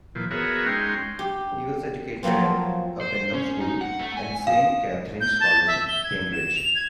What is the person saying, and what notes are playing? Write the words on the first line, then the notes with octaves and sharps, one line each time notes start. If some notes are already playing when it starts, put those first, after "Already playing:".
He was educated at Uppingham School and Saint Catharine's College, Cambridge.
A#2 E3 F3
B3 F#4 G#4 A#4 C#5 E5
G#3 C#4 D#4 G5 C6
G4
F3 F#3 A3 A#3 C4
C5
C#4
D#4
F#5
A3
G#5
F5
G6
A5
E5
G7
G#6
E7
F7
G#6